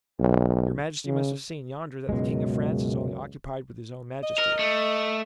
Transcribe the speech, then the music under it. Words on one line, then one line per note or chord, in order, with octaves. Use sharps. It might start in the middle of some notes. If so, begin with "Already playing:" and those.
"Your majesty must have seen yonder that the king of France is only occupied with his own majesty."
B1
C#3
C#2 F#2 B2 G#3
D#5
A#4
A3